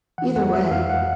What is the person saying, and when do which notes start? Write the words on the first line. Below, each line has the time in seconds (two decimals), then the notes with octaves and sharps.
either way,
0.18 E3 F#5
0.35 F2 F#5
0.53 G#3 E5
0.71 F2 F5
0.89 F2 F#5